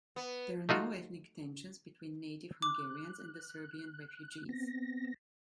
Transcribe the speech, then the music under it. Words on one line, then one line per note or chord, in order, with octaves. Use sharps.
There are no ethnic tensions between native Hungarians and the Serbian refugees.
B3
A3 D#4 F4 F#4
D6 F#6
B3 C4 A#6